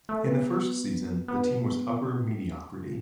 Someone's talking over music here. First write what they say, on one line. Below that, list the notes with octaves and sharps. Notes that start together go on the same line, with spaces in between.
In the first season, the team was upper mediocrity.
A3
B3
B3